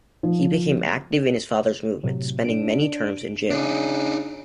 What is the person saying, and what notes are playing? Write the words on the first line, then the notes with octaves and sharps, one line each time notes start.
He became active in his father's movement, spending many terms in jail.
F3
A2 C3 F#3
D4 D7
C#3 D4 D#4